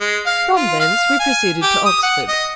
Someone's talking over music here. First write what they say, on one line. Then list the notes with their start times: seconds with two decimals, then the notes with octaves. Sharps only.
From thence we proceeded to Oxford.
0.01 G#3
0.26 F5
0.56 F4
0.80 F5
1.19 G#5
1.62 G4
1.86 D#6
2.03 F#5
2.28 D#5